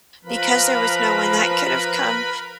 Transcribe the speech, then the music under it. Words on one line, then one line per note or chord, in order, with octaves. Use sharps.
because there was no one that could have come
F3 A#4 B4 B5